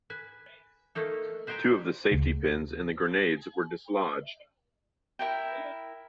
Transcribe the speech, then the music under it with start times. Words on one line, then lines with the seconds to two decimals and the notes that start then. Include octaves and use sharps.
Two of the safety pins in the grenades were dislodged.
0.10 B4 G#5
0.95 A3 A#3 D#4 A4
1.47 B4 C5 D#5 G5 G#5 A#5
2.12 D2 C#3
5.19 E4 A#4 G5